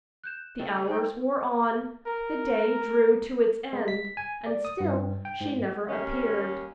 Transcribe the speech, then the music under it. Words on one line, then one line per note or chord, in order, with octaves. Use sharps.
The hours wore on; the day drew to its end--and still she never appeared.
F#6 G6 E7
C#3 A3 D#5 G5
D#4 C5 G5
A#4
G#3
B6
G#5
D5
D#6
G2
G5
G#2
D#2 C#4